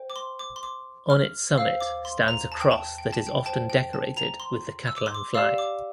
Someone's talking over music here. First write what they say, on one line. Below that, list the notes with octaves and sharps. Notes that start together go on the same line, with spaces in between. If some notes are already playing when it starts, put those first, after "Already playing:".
On its summit stands a cross that is often decorated with the Catalan flag.
Already playing: C5 G5
D6
C6
D6
C6
D6
F6
C5 F5 E6
D6
C6
A#5
A5
G5
A5
G5
A5
G5
C5 G5 A5
G5
A5
A#5
C6
E6
D6
C6
D6
G4 D5 F5 E6
D6